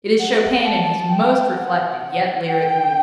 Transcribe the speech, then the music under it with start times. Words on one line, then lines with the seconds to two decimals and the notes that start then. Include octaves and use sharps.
It is Chopin in his most reflective, yet lyric mood.
0.20 F#5
0.66 A5
1.11 G5
1.56 F#5
2.03 F#5
2.49 G5